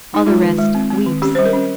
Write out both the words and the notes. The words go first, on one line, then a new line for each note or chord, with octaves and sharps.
All the rest weeps.
D#4
G#3 F4
D#3
G#3
C4
C4
D#3
C#4 G4
G3 C5
A#4
C#4